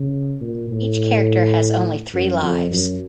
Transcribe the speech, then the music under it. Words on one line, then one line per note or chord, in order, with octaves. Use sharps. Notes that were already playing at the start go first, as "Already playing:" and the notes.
Each character has only three lives.
Already playing: C#3
A#2
A2
F#2
F2
F#2